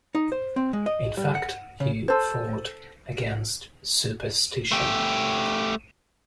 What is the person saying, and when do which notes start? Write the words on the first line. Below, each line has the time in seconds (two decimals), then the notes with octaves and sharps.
In fact he fought against superstition.
0.15 D#4
0.32 C5
0.56 C4
0.73 G#3
0.86 D#5
1.17 G3
1.35 F#5
1.80 C#3
2.08 A4 C5
4.72 A3 G4